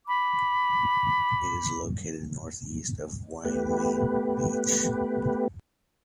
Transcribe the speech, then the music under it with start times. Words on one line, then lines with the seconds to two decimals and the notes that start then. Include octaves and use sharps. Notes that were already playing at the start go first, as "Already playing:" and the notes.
It is located north east of Wainui Beach.
0.06 B5 D6
3.45 A3 B3 G4 B4